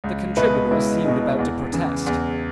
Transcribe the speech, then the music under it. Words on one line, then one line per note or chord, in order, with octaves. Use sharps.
The contributor seemed about to protest.
C#2
B2 G#3 B4 E5
C#2 E4
B2 G#3
E2
C#3 E3
E2